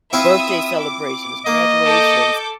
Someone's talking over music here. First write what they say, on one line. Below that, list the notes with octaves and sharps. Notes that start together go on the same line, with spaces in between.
birthday celebrations, graduations,
C4 E4 F4 E5 D#6
D6
A#3 D#5
A4 D6 G6